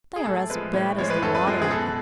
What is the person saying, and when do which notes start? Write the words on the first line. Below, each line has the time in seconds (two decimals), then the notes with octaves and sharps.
They are as bad as the Water-Adder.
0.16 G#4
0.25 A2 A4
0.50 F3 G#3 B4
0.73 A2 C#5
0.98 F3 G#3 C#5
1.10 B4
1.22 F#2 A4
1.35 B4
1.46 F3 G#3
1.61 G#4
1.70 B2 A4